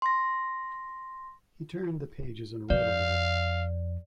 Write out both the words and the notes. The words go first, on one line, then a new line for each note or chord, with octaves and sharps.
He turned the pages and read a little.
C6 A#6
F2 D5 F5